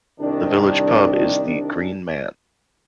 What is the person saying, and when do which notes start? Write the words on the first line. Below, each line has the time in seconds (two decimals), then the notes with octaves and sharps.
The village pub is the "Green Man".
0.20 C2 D#3 D4